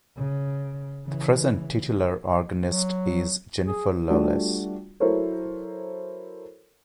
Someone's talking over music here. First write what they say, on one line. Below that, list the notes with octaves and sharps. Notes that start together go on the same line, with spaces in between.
The present titular organist is Jennifer Loveless.
C#3
C#3 E3
F#3
G#4
G3 A3 D4 F4 F#4
F#3 E4 A4 A#4 C5 C#5